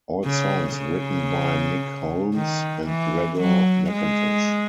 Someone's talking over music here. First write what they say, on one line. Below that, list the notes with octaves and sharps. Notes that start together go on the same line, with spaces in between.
All songs written by Nick Holmes and Gregor Mackintosh.
C#3
C#3
D#3
E3
F#3
G#3